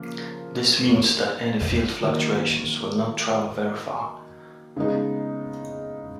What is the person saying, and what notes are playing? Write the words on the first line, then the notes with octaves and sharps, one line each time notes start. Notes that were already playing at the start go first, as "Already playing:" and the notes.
This means that any field fluctuations will not travel very far.
Already playing: C#3 F3 A#3
D#3 F#3 A#3
C#3 G#3 B3 D#4